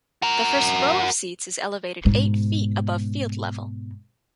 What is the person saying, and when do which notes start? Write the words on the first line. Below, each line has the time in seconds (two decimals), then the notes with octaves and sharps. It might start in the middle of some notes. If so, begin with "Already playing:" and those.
The first row of seats is elevated eight feet above field level.
0.22 F#4 A#4
2.05 G#2 B2